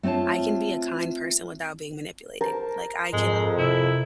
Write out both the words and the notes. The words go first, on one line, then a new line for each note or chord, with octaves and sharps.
I can be a kind person without being manipulated." Like, I can,
A3 C4 F4 C#5 A5
A#4 C5 A5
F2 G#2 G#3
C3 E4